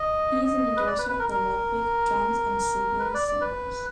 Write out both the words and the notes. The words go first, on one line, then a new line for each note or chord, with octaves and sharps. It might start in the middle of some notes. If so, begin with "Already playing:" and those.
He is an endorser of Ludwig Drums and Sabian cymbals.
Already playing: D#5
D#5
B4
D5
B4
B4
A#4
A#4
B4
D5
D5
B4